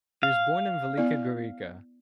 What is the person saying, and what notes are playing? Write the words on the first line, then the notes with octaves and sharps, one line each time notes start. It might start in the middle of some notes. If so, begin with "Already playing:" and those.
He was born in Velika Gorica.
F5
B3 E4 D5